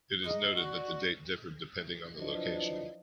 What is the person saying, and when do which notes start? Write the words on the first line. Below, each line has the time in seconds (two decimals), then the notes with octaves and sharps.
It is noted that the date differed depending on the location.
0.24 G#3 D#4 D#5
0.57 F#4 D5
2.17 F3 F#3 D4 E4 B4 D#5